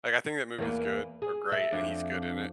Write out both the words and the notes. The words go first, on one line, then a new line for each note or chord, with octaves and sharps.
like, I think that movie is good, or great, and he's good in it,
E2 A#3 B4
G#4
E5
F2 D4